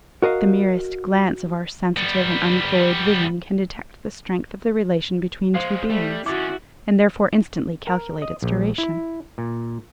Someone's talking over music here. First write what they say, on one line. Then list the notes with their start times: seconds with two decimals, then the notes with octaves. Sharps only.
The merest glance of our sensitive and uncloyed vision can detect the strength of the relation between two beings, and therefore instantly calculate its duration.
0.22 F#4 A#4 D#5 F5
1.96 G3 B3
5.54 F3 G#3 C5 F5 C7
5.89 G3 A3
6.26 D#3 C#4 E4 F#4 D6 A6
7.87 A#4
8.22 D#5
8.42 A#1
8.78 E4
9.38 A#2